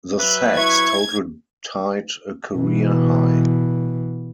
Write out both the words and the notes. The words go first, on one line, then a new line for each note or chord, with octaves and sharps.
The sacks total tied a career-high.
F#3 B4 E5
E4 C#6 G#6
B2 E3